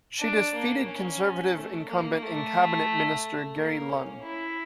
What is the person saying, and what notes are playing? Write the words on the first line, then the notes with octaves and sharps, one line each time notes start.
She defeated Conservative Incumbent and cabinet minister Gary Lunn.
D4
A#3
C#4
A3
A#3
A3
A#3
C#4
E4